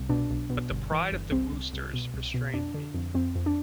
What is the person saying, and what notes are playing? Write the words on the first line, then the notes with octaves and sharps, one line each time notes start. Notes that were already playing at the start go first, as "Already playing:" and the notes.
But the pride of the Woosters restrained me.
Already playing: C2
B2 D4
B1
B2
G1
E3
G1
C2 C4
C2
C2
B2
C2
B2
F2 D4
D3
F2
F2 C4
F2
D4